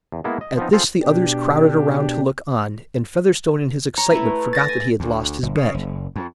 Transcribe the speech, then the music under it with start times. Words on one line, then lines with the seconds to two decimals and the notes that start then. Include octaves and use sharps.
At this the others crowded around to look on, and Featherstone in his excitement forgot that he had lost his bet.
0.12 E2
0.24 G#3 A#3 B3 E4
0.41 D#5
0.58 F3 B3 C4 D#4
0.73 C4 F4 G#4 A4 C5
1.03 B2 D4 G4
3.98 C#5 A#5
4.11 A3 E4 B4
4.53 A6 A#6
4.69 G#5
5.00 D2
5.43 G1
5.55 C#3
5.74 F#1
6.16 F2